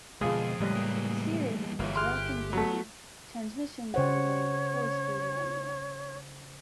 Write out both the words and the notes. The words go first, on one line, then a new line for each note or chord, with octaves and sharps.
Steering is rack and pinion, transmission by the way of a four-speed manual.
F2 B2 D3 G#3 F4 G#4
A2 C#3 G3 G#3 B4 D#5
E2 A#3
G1 E3 A#3 F4 C#5
G4 G#4 C6 F6 F#6
F#3 A3 B3
C#3 C5 C#5 F#5